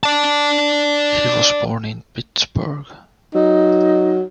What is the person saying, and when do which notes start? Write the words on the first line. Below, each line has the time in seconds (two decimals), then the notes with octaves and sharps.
He was born in Pittsburgh.
0.03 D5 A5
3.35 F#3 D#4